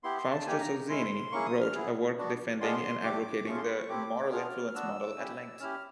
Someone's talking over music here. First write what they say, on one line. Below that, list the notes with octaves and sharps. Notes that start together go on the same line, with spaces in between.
Fausto Sozzini wrote a work defending and advocating the moral influence model at length.
B3 E4 G4 C6
C6
A5
A#3 D#4 G4 G#5
A#5
G#3 C#4 E4 C6
A#3 C#4 E4 G#4 C#6
D#6
F6
B3 E4 G#4
B3 D4 F#4
G#3 B3 D4 F4 G#4 C6
A3 D4 G4 D6
A3 C#4 F4 G#4 C#6
C6
B5
C#6
A3 C4 E4 G4 D6
B3 D4 F4 G#4 F6
B3 D4 F#4 E6
C#4 E4 G4
C#4 E4 G4 F6